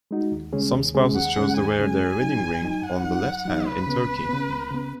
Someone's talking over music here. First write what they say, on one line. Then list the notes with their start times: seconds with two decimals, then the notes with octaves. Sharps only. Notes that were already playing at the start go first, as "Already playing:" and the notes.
Some spouses choose to wear their wedding ring on the left hand in Turkey.
0.11 G#3 D#4 F#4
0.32 D#2
0.53 C#3 G#3 C#4 G#4
0.74 D#2
0.94 C#3 G#3 C#4 G#4
1.15 D#2 F#5
1.36 C#3 G#3 C#4 G#4
1.57 D#2 G#5
1.78 C#3 G#3 C#4 G#4
1.99 F#2
2.20 F#3 D#4
2.41 F#2
2.62 F#3 D#4
2.82 F#2 F#5
3.04 F#3 D#4
3.24 F#2
3.45 F#3 D#4
3.66 C#2 B4
3.87 C#3 B3
4.08 C#2
4.29 C#3 B3
4.50 C#2
4.71 C#3 B3